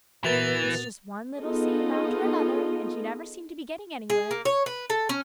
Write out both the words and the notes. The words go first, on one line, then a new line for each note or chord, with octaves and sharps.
It's just one little seam after another and you never seem to be getting anywhere.
A#2 E3 B3 F#4 A#4 B4 A6 F7
B3 D#4 F4 G#4 A4 D#5
G#4
A#3
C#5
B4
A4
C#4